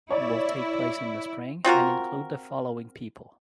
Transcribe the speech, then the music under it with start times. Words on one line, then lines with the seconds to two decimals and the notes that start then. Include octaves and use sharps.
It will take place in the spring and include the following people.
0.10 E4 C#5 D5
1.65 C4 F4 F#4 A#4